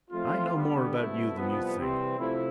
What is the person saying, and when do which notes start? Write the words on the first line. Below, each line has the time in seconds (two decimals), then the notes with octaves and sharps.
I know more about you than you think.
0.11 F3 A3 C4 F4
0.52 D3 G3 B3
0.93 C2 B2 A3 E4
1.36 C2 C3 F3 B3
1.77 C3 E3 G3 C4
2.18 C3 F3 A3 E4